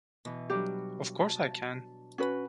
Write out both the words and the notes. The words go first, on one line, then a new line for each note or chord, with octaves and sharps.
Of course I can!
B2 E3
F#3 G3 D4 G4
A5
C#4 F#4 B4